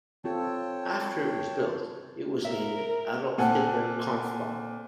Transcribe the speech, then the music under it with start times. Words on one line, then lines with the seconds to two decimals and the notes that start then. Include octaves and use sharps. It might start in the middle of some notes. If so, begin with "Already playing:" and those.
After It was built, it was named "Adolf-Hitler-Kampfbahn".
0.24 C4 F4 A4 C#5 G5 A5
2.44 A#4 E5
3.38 A#2 C4 A4 F#5 G#5